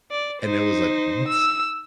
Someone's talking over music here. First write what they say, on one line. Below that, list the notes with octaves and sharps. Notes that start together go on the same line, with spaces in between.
And it was like, "What?"
D5
D#4 C5
E6